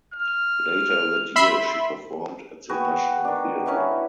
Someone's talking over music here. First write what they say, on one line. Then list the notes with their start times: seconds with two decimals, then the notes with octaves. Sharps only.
Later that year she performed at the National Theatre.
0.14 F6
1.36 E5 B5 C6
2.69 B3 F#4 G5 G#5
3.24 D#3 D4
3.66 C#4 D#4 E4 B4